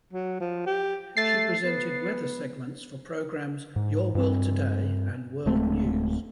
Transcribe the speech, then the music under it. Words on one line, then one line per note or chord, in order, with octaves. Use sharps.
She presented weather segments for the programs "Your World Today" and "World News".
F#3
F3
G4
A3 A6 C7
B3
G#2
G2 C4
D1 G#3 A3 C4